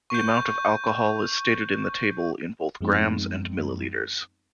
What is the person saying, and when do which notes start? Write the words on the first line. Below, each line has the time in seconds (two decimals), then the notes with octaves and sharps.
The amount of alcohol is stated in the table in both grams and millilitres.
0.10 C#6 G6
2.81 F#2 F3 G#3 B3 C4 D#4